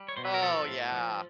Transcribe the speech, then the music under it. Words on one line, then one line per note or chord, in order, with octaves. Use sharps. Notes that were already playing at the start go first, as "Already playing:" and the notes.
Oh, yeah.
Already playing: G3
C#5
B2 C5
B4
A#4
F3 A4
A2
F3